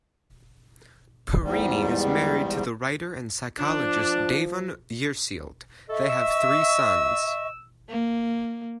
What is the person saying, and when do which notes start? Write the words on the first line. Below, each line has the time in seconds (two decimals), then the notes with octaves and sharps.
Parini is married to the writer and psychologist Devon Jersild; they have three sons.
1.43 E2 G#2 G3
3.59 F3 D4
5.89 A4 D#5 E5 C#6
6.10 E6
7.89 A#3